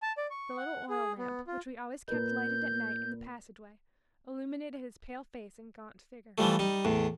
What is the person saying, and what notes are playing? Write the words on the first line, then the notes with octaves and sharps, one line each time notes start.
The little oil lamp, which we always kept lighted at night in the passageway, illuminated his pale face and gaunt figure.
A5
D5
C#6
F#5
G#4
B3
F4
A#2 A#4 B4 G6
E3 F3 G3 A3
G3 D#4
E2 A2